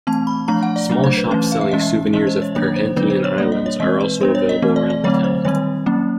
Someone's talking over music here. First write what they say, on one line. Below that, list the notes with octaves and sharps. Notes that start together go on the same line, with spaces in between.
Small shops selling souvenirs of Perhentian Islands are also available around the town.
E3 A3 C4 A5
B5
F3 A3 D4 A#5
F#5
D5
F#3 A3 D4
C5
B4
E3 A3 C#4 B4
F5
E5
E3 G#3 C#4 D#5
E5
E3 G#3 C#4 D#5
C5
C#5
D#3 F#3 A#3 D4 C#5
C5
D3 F#3 B3 D4 B4
C5
C#5
G3 A#3 D4 D5
D#5
C#5
E3 G#3 C4 D#5
B4
G3 B3 D4 C5
C#5
D#5
E3 A3 C4
D5
D5
D3 F#3 A3 C4 C#5
C5
D#3 G3 C4 C#5
F#3 A#3 C#4